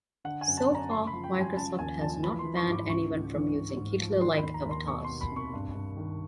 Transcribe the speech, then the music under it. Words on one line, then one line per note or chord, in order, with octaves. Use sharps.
So far, Microsoft has not banned anyone from using Hitler-like avatars.
D3 F#5
G#5
F#2
A5
F#2
A#5
C#3 C6
B5
F3
G5
F3
G#5
C#3 A5
D#2 G#5
F3 A5
E3 B5
C6
E3
C#6
G#2 D6
C#2 C#6
C#2
E3
G#2
G#2
F3
D#3 C6
B5
D#2
A#5
D#2
C6
B2 C#6
B2 C6
B5
C2 C#6
G2
G2
D#3